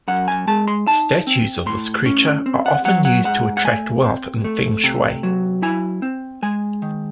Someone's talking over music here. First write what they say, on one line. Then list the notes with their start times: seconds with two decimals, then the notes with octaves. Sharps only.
Statues of this creature are often used to attract wealth in feng shui.
0.08 F#2 F#5
0.28 G#5
0.47 G#3 A5
0.68 C6
0.87 D#4 A5
1.27 C4
1.66 A2 C6
2.06 C#4
2.46 C4
2.66 F#5
2.85 F#3 F#5
3.05 F#5
3.25 G#2 F#5
3.57 F#5
3.64 A3 G#5
4.04 C4
4.44 A3
4.84 C3
5.23 F#3
5.62 E4 G#5
6.02 C4
6.42 G#3 G#5
6.82 D#3